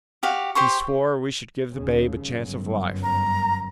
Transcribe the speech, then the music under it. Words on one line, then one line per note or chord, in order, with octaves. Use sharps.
He swore we should give the babe a chance of life.
F#4 G4 F5
G4 C5 C6 C#6
D#2 C#3
G1 F#2
A#5